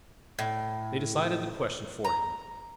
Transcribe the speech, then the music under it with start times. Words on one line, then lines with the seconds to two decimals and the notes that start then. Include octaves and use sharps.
They decided the question for him.
0.39 A2
2.05 A#5